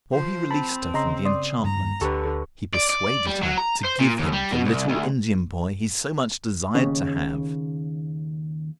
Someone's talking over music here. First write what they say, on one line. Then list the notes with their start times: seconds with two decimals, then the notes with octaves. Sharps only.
And before he released her from the enchantment, he persuaded her to give him the little Indian boy he so much desired to have.
0.12 F3 C5
0.51 C4 A5 B5
0.94 C#3 D#5 A#5 C6
1.25 D5 C6 D#6
1.64 G2 A#5
2.01 D2 D3 G4 A4 B4 C#6
2.75 D5
2.90 D5
3.27 G3
3.43 F#3
3.58 A#5
3.84 C5
4.00 A#2
4.19 D#2
4.32 G3
4.52 B2
4.65 C2
4.89 D2
6.75 D#2 C#3